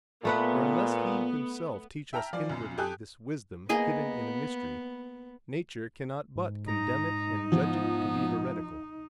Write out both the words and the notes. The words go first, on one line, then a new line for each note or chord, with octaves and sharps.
For unless He himself teach us inwardly this wisdom hidden in a mystery, nature cannot but condemn it and judge it to be heretical.
A#2 A3 B3 B4 F#5
E5 G5 A5 A#5 F6
E3 F3 F4 D5
B1 F#2
G4 A4 G5 G#5 D#6 F#6
A#3 B3 G#4 D#5
G#2
D#4 A#5
F3 B3